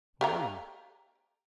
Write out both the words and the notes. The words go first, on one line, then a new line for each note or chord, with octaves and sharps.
"Who are you?"
G4 F5 A#5